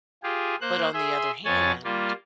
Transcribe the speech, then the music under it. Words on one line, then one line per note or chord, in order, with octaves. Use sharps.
But on the other hand,
F4 G4 G#4
A#3 C5 F#6
G#4 E5 C6
F2 C#5 G#5 A6
G3 A#3 F4